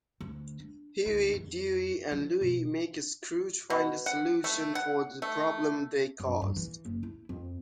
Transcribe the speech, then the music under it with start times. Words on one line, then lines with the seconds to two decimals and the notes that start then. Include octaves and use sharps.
Huey, Dewey and Louie make Scrooge find a solution for the problem they caused.
0.21 D2
0.60 D4
1.06 D2
1.33 F2
2.12 F3
2.41 B2
3.70 B2
4.06 F#5
4.44 A3
4.75 F#5
5.22 A3
6.20 F#2
6.42 G2
6.56 E3
6.85 F#1
7.03 E4
7.29 F2